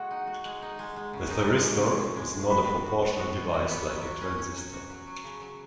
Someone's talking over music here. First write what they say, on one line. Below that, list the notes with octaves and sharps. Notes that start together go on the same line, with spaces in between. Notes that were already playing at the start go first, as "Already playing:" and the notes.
A thyristor is not a proportional device like a transistor.
Already playing: G#3 F#4 F#5
D#4
F#4
G#3
D#4
G#3
G#3
C#3
D#4
G#3
C#3
C#3
C#3
G#3
C#3
F#4 B5
B2
F#4
B2
F#4
B2
F#4
B3
F#3
F#4
C#4
C#4
F#3
F#4
F#3
F#3
C#3
F#3